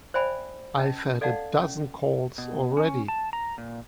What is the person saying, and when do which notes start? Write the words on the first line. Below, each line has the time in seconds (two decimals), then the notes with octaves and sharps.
I've had a dozen calls already.
0.14 C5 D5 E5 G5 G#5 B5
0.78 C#4 D#5 A5
1.21 A4 D5 D#5 F5 F#5 A5
1.61 C#4
2.38 B2
2.77 C#4
3.08 A5
3.33 A#5
3.58 A#2